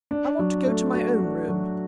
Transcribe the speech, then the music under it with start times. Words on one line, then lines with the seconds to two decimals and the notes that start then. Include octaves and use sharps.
"I want to go to my own room."
0.11 D4
0.39 F#3
0.66 A3
0.94 F#4
1.21 D4
1.49 F#3